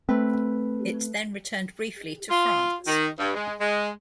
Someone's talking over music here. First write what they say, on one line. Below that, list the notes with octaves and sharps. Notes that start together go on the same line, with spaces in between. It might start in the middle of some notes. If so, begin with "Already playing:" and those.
It then returned briefly to France.
A3 C4 B4
F4
D#3
G2
G#3
G#3